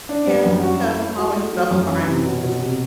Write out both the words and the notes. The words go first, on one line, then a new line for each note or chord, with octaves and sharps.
Yeah, 'cause I'm always double buying
D4
G3
F#2
F#4
E4
E4
F#4
A3
F#3
F#2
E3
C3
B2
B2
C3